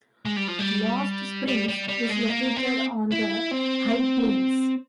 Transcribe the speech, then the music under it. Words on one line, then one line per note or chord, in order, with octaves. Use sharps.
Lost Springs is located on the High Plains.
G#3
G3
F3
G3
G3
G3
G3
G#3
A#3
C4
E4
C4